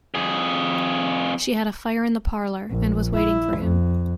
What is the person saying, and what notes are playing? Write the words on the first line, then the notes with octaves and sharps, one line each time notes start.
She had a fire in the parlour, and was waiting for him.
F2 G#4
A#1
E4
F2